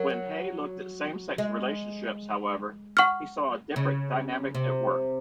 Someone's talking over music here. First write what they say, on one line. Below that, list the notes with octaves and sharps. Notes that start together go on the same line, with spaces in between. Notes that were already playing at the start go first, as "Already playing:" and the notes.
When Hay looked at same-sex relationships, however, he saw a different dynamic at work.
Already playing: F#3 A#4
G#3
F#5 C#6 F6
C#3
C3